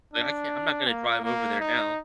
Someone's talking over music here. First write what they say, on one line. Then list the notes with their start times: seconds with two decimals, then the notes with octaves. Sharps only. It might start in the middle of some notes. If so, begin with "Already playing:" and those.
but I can't I'm not gonna drive over there now.
0.13 D4
0.87 A#3
1.24 A#3
1.60 D#4